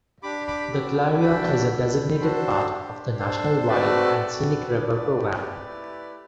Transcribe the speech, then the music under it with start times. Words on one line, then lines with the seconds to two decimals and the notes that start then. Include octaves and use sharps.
The Clarion is a designated part of the National Wild and Scenic River program.
0.23 D4 G4 B5 D6
0.47 B5 D6
0.72 C4 F#4 A4
1.22 D4 F#4 A4 G5 B5
1.71 D4 A4
2.20 D4 F#4 A4 C5
2.70 D4 G4
3.19 D4 A4 C5
3.68 A3 C4 F#4 A4 B4 D5
4.18 C4 F#4 A4
4.67 D4 G4 B4 D5
5.16 C4 G4
5.66 A3 E4 G4